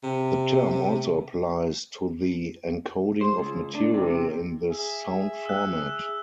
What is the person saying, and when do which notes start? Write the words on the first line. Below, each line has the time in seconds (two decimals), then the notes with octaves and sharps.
The term also applies to the encoding of material in this sound format.
0.03 C3
3.21 C5
3.38 C#2
3.75 D4
3.94 C3
4.08 C3
4.69 G#4 E5
5.46 E6 F#6